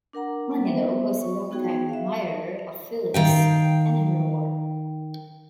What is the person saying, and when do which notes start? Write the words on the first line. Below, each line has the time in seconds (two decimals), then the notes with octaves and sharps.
Manilow was a long time admirer of Phyllis and her work.
0.13 D4 A#4 F#5 A#5
0.51 G3 A#3
0.65 B3 C5 E5
1.17 C#5 C#6
1.51 B3 D#4 F#4 G#4 G5
1.89 E5 F5
3.14 D#3 F5 G5